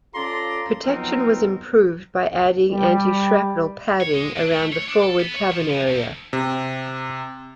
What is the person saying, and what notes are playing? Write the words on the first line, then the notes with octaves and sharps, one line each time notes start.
Protection was improved by adding anti-shrapnel padding around the forward cabin area.
C#4 F4 A4 D5 A#5 C6
F3 F#3 B3 C4 D#4 A#4
G3
C#5
G#3
D4
A3
C#5
D4
A4
B3
C#5
F3
F3
D2
C3